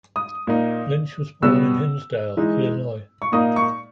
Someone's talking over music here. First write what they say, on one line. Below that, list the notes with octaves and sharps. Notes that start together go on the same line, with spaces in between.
Lynch was born in Hinsdale, Illinois.
D#6
A#2 A#3 D#4
B2 G3 B3 E6
E3 G#3 D#4
C#6
A#2 A#3 D#4 D#6
C#6